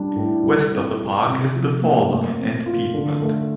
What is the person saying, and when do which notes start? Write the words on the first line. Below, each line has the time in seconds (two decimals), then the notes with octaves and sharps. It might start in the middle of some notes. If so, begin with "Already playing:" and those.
West of the park is the Fall line and Piedmont.
Already playing: G3 D4
0.16 A2
0.43 G3
0.72 C4
0.99 E4
1.27 C3
1.55 F3
1.82 A#3
2.10 A3
2.38 C4
2.66 F4
2.94 D3
3.22 A3